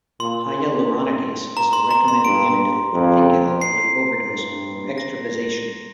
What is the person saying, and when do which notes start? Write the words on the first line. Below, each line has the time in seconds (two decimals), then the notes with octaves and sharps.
Hyaluronidase is a recommended antidote for vinca alkaloid ovderose or extravasation.
0.20 A#2 C6
1.57 A#5
1.73 C6
1.91 A#5
2.08 C6
2.25 G2 D7
2.93 F2
3.62 C7
4.29 G2
4.98 A#6